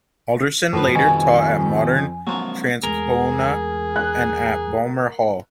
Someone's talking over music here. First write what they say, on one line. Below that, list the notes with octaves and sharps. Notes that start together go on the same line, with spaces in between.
Halldorson later taught at Morden, Transcona and at Balmoral Hall.
F#2 A2 F3 B4
F2 B2 D#3 G3 G#5 A5
F3 F#3 A#3 C4
E2 G#3 A3 G#4 A#4
F#6